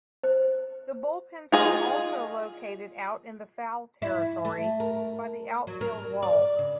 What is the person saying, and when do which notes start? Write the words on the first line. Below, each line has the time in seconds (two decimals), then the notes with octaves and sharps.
The bullpens were also located out in the foul territory by the outfield walls.
0.24 C5
1.52 F4 G#4 D#5
4.02 E4
4.45 A3
4.80 A#4
5.67 F#3
5.81 A#4
6.22 D5
6.59 C#3